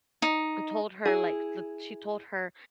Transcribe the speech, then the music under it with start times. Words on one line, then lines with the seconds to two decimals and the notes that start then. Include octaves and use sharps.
uh, told her, like, that she told her,
0.22 D#4
1.05 E4 G#4